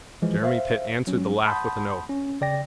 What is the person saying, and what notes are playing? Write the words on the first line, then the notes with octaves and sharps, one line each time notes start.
Jeremy Pitt answered the laugh with an oath.
E3 F3 G#3
C5 E5 F5
F#3 C#4
F#5 A5 B5 C6 D#6 G6
C#4
C#3 D5 G5 A#6